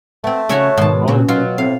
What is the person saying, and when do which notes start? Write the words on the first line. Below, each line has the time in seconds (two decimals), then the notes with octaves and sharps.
Oh, okay.
0.24 A3 B3 C4
0.49 C#3 C#4 F#4 C#5 E5
0.78 G#2 B2 D#3 A5
1.08 A#2 C4 C#4 F#4
1.29 B2 F#3 F4
1.58 A2 C4 F5